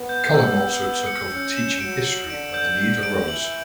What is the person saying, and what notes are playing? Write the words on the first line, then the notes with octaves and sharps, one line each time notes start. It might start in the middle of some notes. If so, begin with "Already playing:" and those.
Cullen also took over teaching history when the need arose.
Already playing: B3
G6
B3 E6
E6
E6
C#7
C#4 C#7
E7
F#3 D7
F#7
D3 D7
G6
D3 F#7
D7
E3 F#7